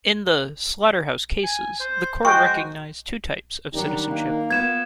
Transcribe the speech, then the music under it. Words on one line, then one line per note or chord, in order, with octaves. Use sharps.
In the "Slaughter-House Cases" the court recognized two types of citizenship.
G#5
C5
G#3 F#4 C5 G5 C#6
D#3 F#3 G3 D4 D#4
A#3
B3 F4 G#6 E7